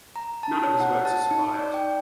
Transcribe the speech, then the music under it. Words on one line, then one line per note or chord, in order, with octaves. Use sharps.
None of his works have survived.
A#5
A5
C#5
F#5
A5
D#4
D5
G5